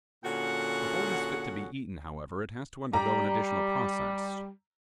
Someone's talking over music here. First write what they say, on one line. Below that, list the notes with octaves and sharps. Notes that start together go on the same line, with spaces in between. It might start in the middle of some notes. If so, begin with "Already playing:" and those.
Before it is fit to be eaten, however, it has to undergo an additional process.
A#2 D3 C#4 F#4 G#4 F#5
G3 A#5